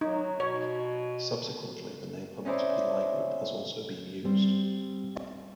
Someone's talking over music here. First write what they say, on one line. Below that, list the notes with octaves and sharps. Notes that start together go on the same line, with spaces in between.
Subsequently the name homotopy Lie group has also been used.
F#3 D#4
B2 C#5
C#4 D#4 E4 C5 D5
G3 C4